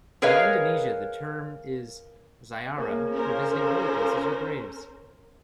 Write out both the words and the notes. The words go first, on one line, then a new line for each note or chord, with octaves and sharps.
In Indonesia the term is "ziarah" for visiting holy places or graves.
G#4 A#4 B4 C#5 D#5 F5
C#3 F3 A#3
C#4 A#4 C5